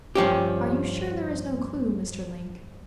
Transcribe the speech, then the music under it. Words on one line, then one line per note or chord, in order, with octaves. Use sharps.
"Are you sure there is no clue, Mr. Link?"
G2 F3 C#4 G4